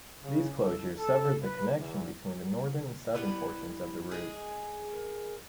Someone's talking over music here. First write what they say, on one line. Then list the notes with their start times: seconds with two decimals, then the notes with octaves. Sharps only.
These closures severed the connection between the northern and southern portions of the route.
0.23 C#3
0.60 A4
0.97 A4
1.42 B4
1.78 E2
3.15 G3 B3 E4 B4
4.11 G#3 G#4
4.92 A#4